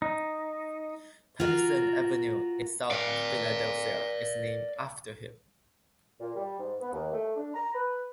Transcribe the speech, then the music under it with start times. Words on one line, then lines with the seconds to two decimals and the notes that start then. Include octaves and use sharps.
Pattison Avenue in South Philadelphia is named after him.
0.02 D#4
1.40 F4 F#4 A#4
2.91 D5 F5
6.20 A#2
6.36 G3
6.58 G#2
6.80 B3
6.92 D#2
7.13 A3
7.35 D4
7.54 A#5
7.73 B4